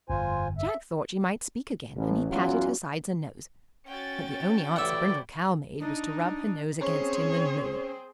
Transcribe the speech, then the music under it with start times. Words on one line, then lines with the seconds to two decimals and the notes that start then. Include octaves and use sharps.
Jack thought she might speak again and he patted her sides and nose, but the only answer Brindle Cow made was to rub her nose against him and moo.
0.09 G1 F2 F4 C5 G#5
0.58 E5
1.96 A1
2.31 A1 E2 F#3 C#4 F4 F#4
3.88 C#4 F#4 G5 A6
4.76 A1 E4 D5 E5 F#5
5.80 D4 D#4
6.81 C4 C#4 G#4 C5 C#5